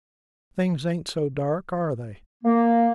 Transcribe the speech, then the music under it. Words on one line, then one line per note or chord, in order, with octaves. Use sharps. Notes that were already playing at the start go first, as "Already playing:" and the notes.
Things ain't so dark, are they?
A#3